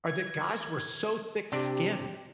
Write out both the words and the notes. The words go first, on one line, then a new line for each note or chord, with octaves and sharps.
are that guys were so thick-skinned.
G#6
C3 D4 G4 D5